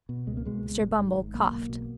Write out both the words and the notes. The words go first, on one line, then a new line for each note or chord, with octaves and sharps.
Mr. Bumble coughed.
B2
C#2 G#3
A#3
B2 G#3
C#2
G#1
G#2
G#1
B1 A#3
B1
B2